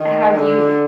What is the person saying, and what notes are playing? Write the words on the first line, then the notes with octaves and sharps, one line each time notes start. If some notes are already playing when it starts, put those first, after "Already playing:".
have you
Already playing: D#3
D3